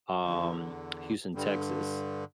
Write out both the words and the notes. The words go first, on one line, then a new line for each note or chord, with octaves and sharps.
um, Houston, Texas.
E2 D3 F3
G2 D3 G3